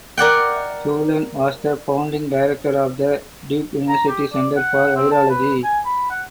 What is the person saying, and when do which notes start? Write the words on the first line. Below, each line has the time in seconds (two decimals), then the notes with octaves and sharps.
Cullen was the Founding Director of the Duke University Center for Virology.
0.18 A#4 D5 F#5 G5
3.88 A#5
4.09 G4
4.33 D5
4.56 F#5
4.96 C4
5.11 A5
5.30 B4
5.64 G#5
5.85 B5
6.10 F#5